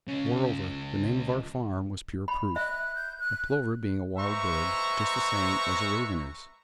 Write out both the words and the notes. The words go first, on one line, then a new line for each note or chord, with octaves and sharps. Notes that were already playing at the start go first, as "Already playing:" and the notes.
Moreover, the name of our farm was pure proof; a plover being a wild bird, just the same as a raven is.
C#2 C#3
B5
E5 F#6
G6
F#6
G#3 B4 C5 E5 A#5 C#6